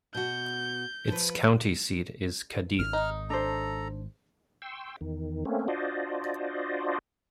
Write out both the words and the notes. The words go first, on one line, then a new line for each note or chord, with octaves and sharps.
Its county seat is Cadiz.
B2 F#4 G6
F3 B4
G#1 F6
D#4
D4 A4 C5 A#5
G5 C6 C#6 E6
E2 D#3
A3 A#3 C4 C#4
D4 F4 F#4 C5 D5 D#5